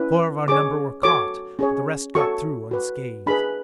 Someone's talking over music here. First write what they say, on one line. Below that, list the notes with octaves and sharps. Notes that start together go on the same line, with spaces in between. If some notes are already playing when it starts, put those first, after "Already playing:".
Four of our number were caught, but the rest got through unscathed.
Already playing: C#4 E4 B4
C#4 G#4 C#5 D6
F#4 A4 C#5 D6
C#4 G#4 C#5
F#4 A4 C#5 C#6
F#4 B4
D4 G#4 B4 B5